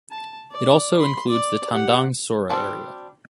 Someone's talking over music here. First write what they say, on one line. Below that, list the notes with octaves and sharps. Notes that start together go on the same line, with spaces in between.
It also includes the Tandang Sora area.
A5
D5
B5 C6
D5
G4 F#5
G3 C4 D4 F#4 A5